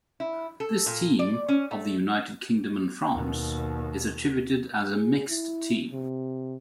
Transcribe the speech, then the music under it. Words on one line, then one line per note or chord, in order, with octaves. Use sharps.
This team, of the United Kingdom and France, is attributed as a mixed team.
E4
A4
A#2
D5
C#4
A3
D#2 B2
G#4
E4
C3